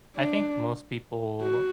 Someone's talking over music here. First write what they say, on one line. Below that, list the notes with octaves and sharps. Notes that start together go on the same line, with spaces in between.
I think most people
D4
F#4